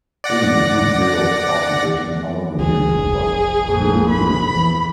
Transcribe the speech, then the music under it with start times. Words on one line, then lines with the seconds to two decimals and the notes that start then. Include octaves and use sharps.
There is a good deal of cultivation along the river, but few villages.
0.24 D5 F#5 A#6
2.59 D2 E3 G3 G#4
2.93 F1 A#1
3.64 F2 A#2
4.10 B5
4.50 E2 E3